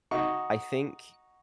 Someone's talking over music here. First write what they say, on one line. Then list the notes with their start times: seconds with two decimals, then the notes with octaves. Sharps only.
I think,
0.11 D#4 F#4 C#6